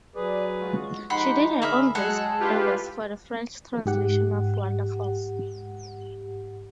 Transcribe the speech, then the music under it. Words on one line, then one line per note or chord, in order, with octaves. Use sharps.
She did her own voice-overs for the French translation of "Wonderfalls".
F#3 G#4 B4 D5
G#3 F4 F#4
F3 G#3 D#4 G4 F#5 B5 C6
D3 A#3 G#4 E5 B5
F#3 G#3 G#4 A4 F#5 A5
D4 E4 F4 G4 B4
G#2 G4 F#5